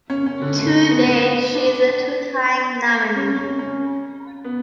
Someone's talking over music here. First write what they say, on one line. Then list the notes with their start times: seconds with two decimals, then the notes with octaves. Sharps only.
To date, she is a two-time nominee.
0.10 C#4
0.26 C#4
0.42 D3
0.58 A3
0.90 B3
1.23 B3
1.55 D4
3.16 C#4
3.36 C#4
3.59 C#4
4.44 B3